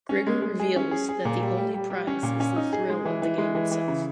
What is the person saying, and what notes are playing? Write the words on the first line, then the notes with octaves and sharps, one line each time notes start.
Grigor reveals that the only prize is the thrill of the game itself.
C#4
G#3
G#3
G#4
C#4
G#4
G#4
A#2
G3
G3
G3
G3
C#4
A#2
C#4
D#4
G#4
G#3
E3
E3
G#3
E3
E3
C#3